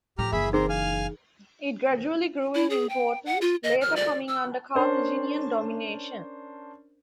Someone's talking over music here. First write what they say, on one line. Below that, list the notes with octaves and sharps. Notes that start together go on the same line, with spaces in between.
It gradually grew in importance, later coming under Carthaginian domination.
A2 F3 G4 A#5 F6
F#1 E3 G#4 E5 B5
C4 D#4 G#4 A#4 C5
F5 G#5 F6
E4
G#4
G5
F#5
F4
D#5
F6
D5
E6
C#4 D4 A#4 C5